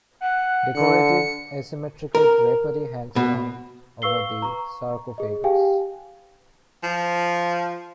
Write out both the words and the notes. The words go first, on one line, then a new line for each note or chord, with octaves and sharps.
Decorative, asymmetrical drapery hangs down over the sarcophagus.
F#5
D3 C#7
A#4
B2
B4 F5 C#6 E6 C7 G7
A#5 C#6
G#4 D#5
G4 F5 G5 G#5
F3